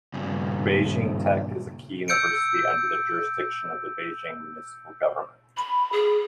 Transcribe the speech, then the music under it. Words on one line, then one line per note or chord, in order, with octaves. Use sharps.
Beijing Tech is a key university under the jurisdiction of the Beijing Municipal Government.
G2 C#3
E6 G6 C#7 D7
B5
G#4